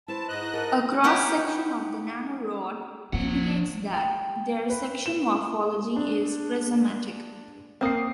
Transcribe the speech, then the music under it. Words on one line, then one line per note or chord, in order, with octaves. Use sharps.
A cross section of the nanorods indicates that their section morphology is prismatic.
E4 B4 C5 A5
G#2 D#5 F#6
A4 A#4
B3 D#4 E4 G4
F3 A#3 F#5
G5
B4
E7
D4
A#3 C4 G5 D#6 C7